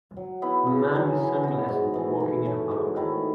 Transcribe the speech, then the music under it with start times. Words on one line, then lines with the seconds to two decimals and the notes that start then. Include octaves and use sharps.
A man with sunglasses walking in a park.
0.17 F#3
0.42 B3 E4 B4
0.67 C#3
0.93 F#3 C#4
1.18 E3
1.43 B3 F#4
1.68 G#2
1.94 E3 A3
2.20 E3
2.45 A3 C#4
2.71 G#2
2.96 D#3 A3 E4